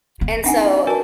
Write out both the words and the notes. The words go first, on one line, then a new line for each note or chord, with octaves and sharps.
and so
A#3
C4 D4 D#4 E5 F#5 G#5
E4
F#4 A#4 B4 G#5 A5